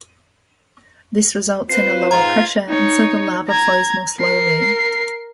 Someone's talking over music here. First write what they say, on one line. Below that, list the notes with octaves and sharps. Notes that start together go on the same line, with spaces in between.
This results in a lower pressure, and so the lava flows more slowly.
C4 F4 B4 C5 C7
G#2 F4 A#5 G#6
D#4 C#5
A#5 G#6
A#4 C7